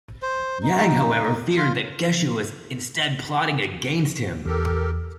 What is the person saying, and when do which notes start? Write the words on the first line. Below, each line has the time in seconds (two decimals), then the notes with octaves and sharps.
Yang, however, feared that Geshu was instead plotting against him.
0.22 C5
0.63 D#4
1.57 F4
4.46 E2 G4 A4 A#4